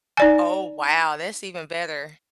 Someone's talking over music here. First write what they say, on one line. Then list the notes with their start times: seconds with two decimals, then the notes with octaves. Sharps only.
Oh, wow. That's even better.
0.17 D#4 D5 G#5